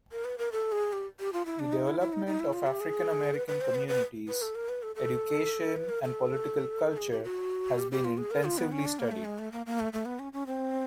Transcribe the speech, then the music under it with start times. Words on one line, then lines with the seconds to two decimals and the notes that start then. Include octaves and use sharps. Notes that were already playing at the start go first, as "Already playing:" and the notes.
The development of African-American communities, education and political culture has been intensively studied.
0.12 A#4
0.25 B4
0.38 A#4
0.52 A4
0.72 G#4
0.93 G4
1.20 G4
1.33 F4
1.46 E4
1.59 D4
1.73 D#4
1.87 E4
2.01 E4
2.13 D#4
2.27 D#4
2.40 E4
2.53 F4
2.67 G4
2.80 G#4
3.35 B4
3.48 B4
3.61 C5
3.75 B4
3.88 B4
4.28 B4
4.42 A4
4.55 A#4
4.69 B4
4.83 A4
4.96 A4
5.76 B4
5.89 A#4
6.03 A4
6.97 G#4
7.11 G4
7.24 F#4
7.78 G4
7.92 G4
8.05 F4
8.18 G#4
8.31 A#4
8.44 F4
8.58 B3
8.72 C#4
8.85 D4
8.99 A#3
9.11 A3
9.25 G#3
9.39 A3
9.52 A#3
9.66 A#3
9.80 A3
9.93 A3
10.05 B3
10.19 C#4
10.33 C#4
10.47 C4